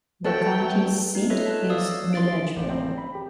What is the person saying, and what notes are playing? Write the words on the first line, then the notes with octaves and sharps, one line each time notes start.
The county seat is Milledgeville.
A3 F#4 A4 B4 G5
D#4
F4 A4 B4 C#5 D#5 E5
A5 F#6
C#5 D5 F5 D#6 E6
C6 A6 D7
A1
C4
C4
B5
G4